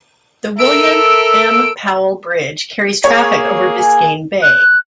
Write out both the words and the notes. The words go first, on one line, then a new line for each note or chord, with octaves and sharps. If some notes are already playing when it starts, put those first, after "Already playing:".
The William M. Powell Bridge carries traffic over Biscayne Bay.
A4 A#4 E5 E6 D7
A#3 G#4 C#5
G#5
F#6